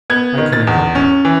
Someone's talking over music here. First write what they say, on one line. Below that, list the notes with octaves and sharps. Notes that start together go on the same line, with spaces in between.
I couldn't help it.
B3 G#6
D#3
A6
E2
C#4
E3